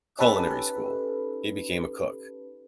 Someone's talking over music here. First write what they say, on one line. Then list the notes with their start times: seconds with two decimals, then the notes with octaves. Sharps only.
culinary school. He became a cook.
0.19 C#4 D#4 G4 A4 B4